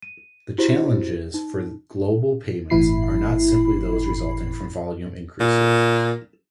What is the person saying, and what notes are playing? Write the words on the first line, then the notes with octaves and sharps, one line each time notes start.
The challenges for global payments are not simply those resulting from volume increases.
D#7
E4 F#4 G4 C5
D#4
G1 A2 E3 E4 B5 C7
A#2